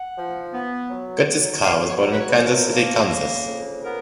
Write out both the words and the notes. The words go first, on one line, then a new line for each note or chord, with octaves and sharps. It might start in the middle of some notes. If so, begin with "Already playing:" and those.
Curtis Carr was born in Kansas City, Kansas.
Already playing: F#5
F3
B3
F#3
F#3
B3 F5
C#5
F#3
B4
C#5
B4
F3 A#4
A#3
C#3
F2
B3 A#4